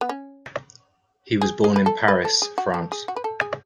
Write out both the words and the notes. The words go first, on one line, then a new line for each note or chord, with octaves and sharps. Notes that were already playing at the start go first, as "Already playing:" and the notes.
He was born in Paris, France.
B3
C#4
G#4
G#4
B4
A4
B4
A4
G#4
F#4
A4
G#4
F#4
B4
A4
G#4